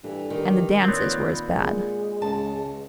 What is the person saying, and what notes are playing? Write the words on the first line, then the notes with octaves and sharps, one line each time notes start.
And the dances were as bad.
G2 E3 A4
D#3 G4
A#2 B3 C4 C#5
B5
G#3
C#2 A5